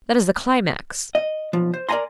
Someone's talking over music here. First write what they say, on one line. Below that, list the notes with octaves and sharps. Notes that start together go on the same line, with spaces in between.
That is the climax.
D#5
B1 F3
C5
A#4 D5 F5 G#5 A#5 C6